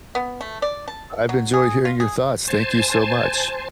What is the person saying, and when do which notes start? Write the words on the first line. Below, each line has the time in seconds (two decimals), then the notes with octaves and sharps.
I've enjoyed hearing your thoughts. Thank you so much.
0.15 B3
0.41 A3
0.62 D5
0.88 A5
1.29 F#3
1.53 G#4
1.85 F4
2.00 G#4
2.48 C5 G#5 A5